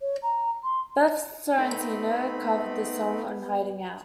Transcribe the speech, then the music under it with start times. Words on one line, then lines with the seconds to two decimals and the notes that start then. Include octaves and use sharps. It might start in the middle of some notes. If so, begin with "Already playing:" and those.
Beth Sorrentino covered the song on "Hiding Out".
0.01 C#5
0.23 A#5
0.64 C6
1.58 A3 B3 C4 D#4 B5